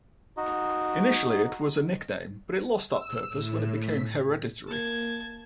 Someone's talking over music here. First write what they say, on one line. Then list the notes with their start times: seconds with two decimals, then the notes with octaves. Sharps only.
Initially, it was a nickname, but it lost that purpose when it became hereditary.
0.37 D#4 F#4 D#5
2.88 E6
3.26 A2
3.77 B6
4.68 A#3 A5 G#6